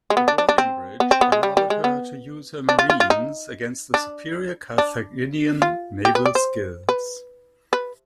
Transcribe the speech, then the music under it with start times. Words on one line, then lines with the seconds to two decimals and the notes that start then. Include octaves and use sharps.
The boarding-bridge allowed her to use her marines against the superior Carthaginian naval skills.
0.10 G#3
0.17 B3
0.28 D4
0.38 D4
0.49 D4
0.58 C4
1.00 B3
1.11 C4
1.21 B3
1.32 G#3
1.43 G3
1.57 G3
1.70 G#3
1.84 B3
2.69 D4
2.79 F4
2.90 F4
3.00 F4
3.10 D#4
3.94 D4
4.78 D4
5.62 F4
6.05 G4
6.15 B4
6.26 D5
6.35 C5
6.89 B4
7.73 B4